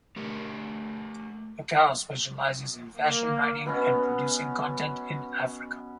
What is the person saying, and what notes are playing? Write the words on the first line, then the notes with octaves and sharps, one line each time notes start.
Ekow specializes in fashion writing and producing content in Africa.
A3 G4 A#4
A#3
B2 B3 C#4